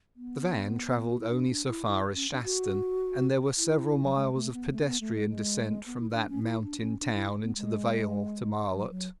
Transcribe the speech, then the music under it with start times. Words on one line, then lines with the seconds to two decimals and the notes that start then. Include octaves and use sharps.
The van travelled only so far as Shaston, and there were several miles of pedestrian descent from that mountain-town into the vale to Marlott.
0.16 B3
1.10 F#4
1.20 E4
1.30 D4
1.49 D4
1.68 E4
1.87 E4
2.16 C#4
2.30 D4
2.44 F#4
3.58 E4
4.03 F#3
4.15 G#3
4.34 A3
4.53 B3
4.72 A3
4.81 C#4
4.86 B3
5.01 A3
5.15 G#3
5.29 G#3
5.86 B3
6.00 E4
6.11 E4
6.14 D4
6.29 C#4
6.43 E4
6.62 D4
6.81 C#4
7.00 D4
7.14 E4
7.43 B3
7.57 G#3
8.72 F#3
8.91 F#3